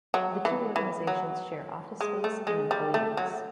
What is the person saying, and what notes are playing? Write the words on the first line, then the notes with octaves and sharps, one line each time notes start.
The two organizations share office space and employees.
F#3
E3
E3
F#3
G#3
A3
G#3
G3
A3
F#3